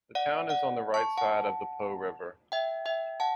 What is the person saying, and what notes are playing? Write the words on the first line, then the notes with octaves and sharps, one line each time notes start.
The town is on the right side of the Po river.
D5 F#5
D5 F#5
A5 C#6
F#5 A5
E5 G5
E5 G5
F#5 A5